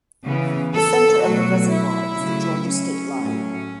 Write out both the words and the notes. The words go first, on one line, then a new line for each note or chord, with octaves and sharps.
The center of the reservoir is the Georgia state line.
C#3 E3 B3
A4
B2 F#3 A3 F#4
E4
C#3 F#3 A3
C#4
A2 F#3 A3